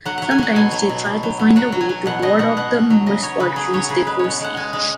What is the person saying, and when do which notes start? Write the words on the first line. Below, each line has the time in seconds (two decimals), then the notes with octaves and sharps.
Sometimes they try to find a way to ward off the misfortunes they foresee.
0.05 F#3 F#5
0.18 F#3 F#5
0.31 G#5
0.38 F#3 F#5
0.56 B2 G#5
0.72 F#3
0.89 B2
1.06 B2
1.23 F#3
1.39 F#3
1.56 F#3 F#5
1.72 F#3
1.81 G#5
1.89 F#3
2.06 B2 F#5
2.22 B2 D#5
2.39 B2 F#5
2.57 B2 F#5
2.73 B2
2.90 F#3
3.06 C#3 D#5
3.23 F#3 C#5
3.40 C#3 B4
3.56 F#3 G#4
3.74 F#3 C#5
3.89 C#3 G#4
4.07 G#3 B4
4.19 B2 C#5
4.40 G#3 F#5
4.57 G#3 G#5
4.73 G#3